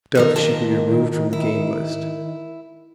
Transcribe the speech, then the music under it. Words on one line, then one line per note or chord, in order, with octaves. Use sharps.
Doves should be removed from the game list.
D#3 F3 A4 A#4
A#2 A#4 A5
E4